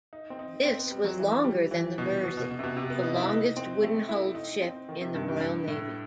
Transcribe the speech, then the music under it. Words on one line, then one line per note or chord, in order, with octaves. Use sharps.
This was longer than the "Mersey", the longest wooden-hulled ship in the Royal Navy.
D#4
C4
D#4
C4
B3
G3
F#3
E3
G3
E3
B2
B2
B2
B2
C3
B2
C3
B3
D#4
E4
D#4
C4
A3
E4
D#4
C4
D#3
C3
G2
G2
G2
A2